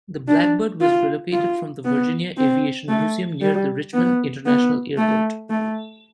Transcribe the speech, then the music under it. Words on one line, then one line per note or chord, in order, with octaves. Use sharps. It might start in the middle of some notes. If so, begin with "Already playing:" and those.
The Blackbird was relocated from the Virginia Aviation Museum near the Richmond International Airport.
D4
F4
F4
B3
C4
A3
G3
B3
B3
A3
A3